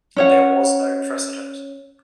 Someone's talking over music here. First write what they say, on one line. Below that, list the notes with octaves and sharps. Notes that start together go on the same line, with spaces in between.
There was no precedent.
C#4 C#5 F#5